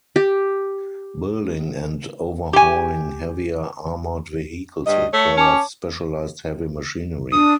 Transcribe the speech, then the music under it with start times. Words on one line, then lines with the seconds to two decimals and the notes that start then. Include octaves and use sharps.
Building and overhauling heavier armoured vehicles required specialized heavy machinery.
0.16 G4
2.53 G4 G#5
4.86 G2 D#5
5.13 A3 C#5
5.37 C#4 A5 D6
7.32 D4 D#6